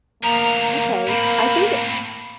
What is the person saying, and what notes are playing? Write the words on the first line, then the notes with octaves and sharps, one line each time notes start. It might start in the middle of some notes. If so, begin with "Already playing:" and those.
Okay. I think it
D2 F3 A#3 A#5
A2 C4 B5